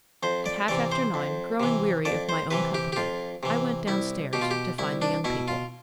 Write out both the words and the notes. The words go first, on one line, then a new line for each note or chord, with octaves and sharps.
At half after nine, growing weary of my own company, I went downstairs to find the young people.
F2 C5
D5
C3 E3 D5
C5
F2
C3 E3
F2 D5
C5
C3 E3 B4
G4
G4
F2 F4
C3 E3
C2 E4
B2 G4
F4
G4
C2 E4
D4
B2 E4
F4